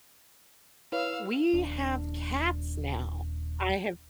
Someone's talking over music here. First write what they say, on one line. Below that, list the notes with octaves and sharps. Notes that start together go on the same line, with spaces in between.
We have cats now, I have
E4 B4 C#5 F5 E6
D#1 D4